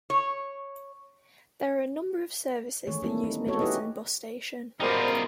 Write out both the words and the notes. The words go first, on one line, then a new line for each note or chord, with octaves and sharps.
There are a number of services that use Middleton bus station.
C#5
D#3 E3 G#3 A3 G#4 C#5
G3 A#3 C4 D4 E4 A4
D#4
G#3 B3 F#4 A4 C#5
D#4 E4 G4 G#4 B4 D#5
G#2 B2 G3 D#4 F4 A#4 C5 B5